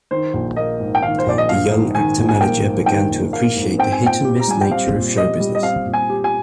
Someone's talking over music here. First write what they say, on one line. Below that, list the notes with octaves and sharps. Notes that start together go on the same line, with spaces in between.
The young actor-manager began to appreciate the hit and miss nature of show business.
D#3 C5
A#1
A#3 D#5
G#2
G5
D#3 F5
C5
A#1 D5
D#5
A#3 F5
G#2
D#3 G#5
A#1
G#5
A#3 G5
G#2
D#3 G5
A#1
A#3 F5
G#2
C4 G5
G#5
A#2 G5
G4
A#5
G3 G#5
G5
C4 F5
A#2
G4 D#5
G3
D#5
C4 F5
A#2
G#5
G4
G#5